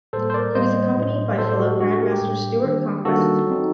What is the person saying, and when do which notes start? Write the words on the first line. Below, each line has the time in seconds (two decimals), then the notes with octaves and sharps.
He was accompanied by fellow Grandmaster Stuart Conquest.
0.13 A2 G3 A#3 A4 C5
0.30 C5
0.34 A#4 D5
0.55 A2 G3 A#3 C5 D#5
0.97 A2 F#3 A3
1.38 A2 F#3 A3 A4 C5
1.49 A4 C5
1.59 F#4 A4
1.70 G4
1.80 A2 G3 D4 F#4
1.90 F#4 A4
2.01 G4 A#4
2.11 G4
2.22 A2 G3 D4
2.64 D#3 G3 A#3 D4
3.05 D#3 G3 A#3 D4 F#4 A4
3.47 F#3 C4 D#4